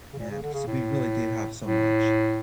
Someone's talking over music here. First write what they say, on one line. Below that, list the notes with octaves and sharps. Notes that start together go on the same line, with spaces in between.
and 'cause we really do have so much,
C#3
A#2
C#3
D3
C#3
A2
A2